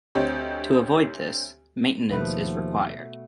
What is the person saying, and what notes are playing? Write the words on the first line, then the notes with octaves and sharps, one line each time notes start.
To avoid this, maintenance is required.
D2 C4 G4 C#5 D#5
D#2 B2 F3 A3 B4